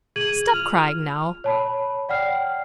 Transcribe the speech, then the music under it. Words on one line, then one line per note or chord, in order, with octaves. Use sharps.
Stop crying, now.
G#4 G#6 D#7 F#7
F4 F6 F7
C#5 A5 B5
D5 F#5 G5 F6 C7